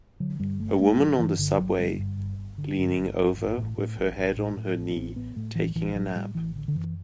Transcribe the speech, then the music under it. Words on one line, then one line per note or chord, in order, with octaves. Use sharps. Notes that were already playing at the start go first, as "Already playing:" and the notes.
A woman on the subway, leaning over with her head on her knee taking a nap.
D3 F#3
G2 G3
G1 A3
G1 A3
D3 F#3
G2 E3
G1 D3
G1 F#3
D3 G3
G2
G1
G1
D3
G2
G1
G1
A1
A2
A2
A1
A1
A2
A2
A1
D4
A1 C4
A2 B3
A2 A3
A1 E3
A1 E3
A2 F#3
A2 G3
A1 E3
D3
D3
F#2 E3